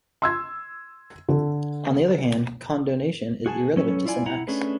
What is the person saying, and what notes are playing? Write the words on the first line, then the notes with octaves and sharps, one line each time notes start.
On the other hand, condonation is irrelevant to some acts.
C6 E6 G#6
D3 A4
F#4 G#4 G#5 A5
F#3 C#4 A4 B4 C#5
E4 F4 D5 G#5
E4 F#5 A#5
A3 C#4 D4 G#4 B4